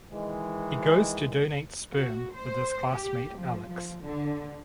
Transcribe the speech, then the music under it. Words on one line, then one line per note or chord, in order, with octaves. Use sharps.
He goes to donate sperm with his classmate Alex.
D#3 E3 G#3
F#4
C5
G4
F3
F3
D3